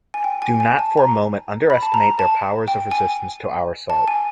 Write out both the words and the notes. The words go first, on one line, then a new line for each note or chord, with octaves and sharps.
Do not for a moment underestimate their powers of resistance to our assault.
G#5
G5
G#5
G#5
A5
A#5
B5
A5
A#5
A5
G5
G#5
A5
G#5